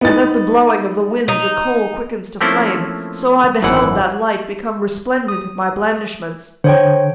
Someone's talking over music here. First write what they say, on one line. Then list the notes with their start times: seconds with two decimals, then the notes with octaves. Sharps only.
As at the blowing of the winds a coal Quickens to flame, so I beheld that light Become resplendent at my blandishments.
0.01 B3 D#4 A6
1.28 D#4
2.41 F3 A3 A#3 C4 C#4 E4
3.63 G#1 F#2 E3 F#5
5.28 D#6
6.64 D3 C5 C#5 G5